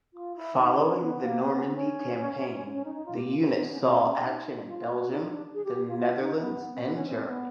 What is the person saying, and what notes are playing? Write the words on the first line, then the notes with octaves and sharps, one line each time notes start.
Following the Normandy campaign the unit saw action in Belgium, the Netherlands and Germany.
F4
E4
D#4
C#4
B3
A#3
B3
B3
C4
C#4
C#4
D#4
D#4
F4
G4
F4
E4
D#4
B3
C#4
C4
C#4
D#4
D4
F4
F4
F#4
F#4
D#4
D#4
D4
G#4
G4
F4
F4
D#4
B3
C4
B3
C#4
C4
B3